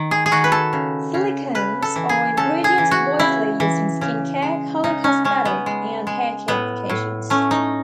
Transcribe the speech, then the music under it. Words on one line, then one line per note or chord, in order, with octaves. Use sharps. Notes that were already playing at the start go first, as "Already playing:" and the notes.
Silicones are ingredients widely used in skin care, color cosmetic and hair care applications.
Already playing: D#3
G#4
G#4
D#3 F#4
B4
A4
C#3
C#3
C#3 B4
A4
E3
G#4
C#3 A4
G#4
E3
F#4
C#3 E4
E3
C#3
G#3
C#3 D#4
C#4
G#3 C#4
B3
G#3
G#3
A2 B3
A2
A3 C#4
D#4